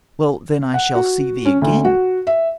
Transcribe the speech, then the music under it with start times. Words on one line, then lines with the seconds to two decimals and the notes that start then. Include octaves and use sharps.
Well; then I shall see thee again?
0.74 F#5
0.95 F#4
1.45 C#4
1.62 D2
1.85 F#4
2.27 E5